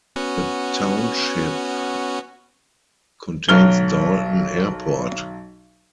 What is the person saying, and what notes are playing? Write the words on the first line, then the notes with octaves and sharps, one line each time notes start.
The township contains Dalton Airport.
B3 C#4 F#4
B1 F#3 F6 G7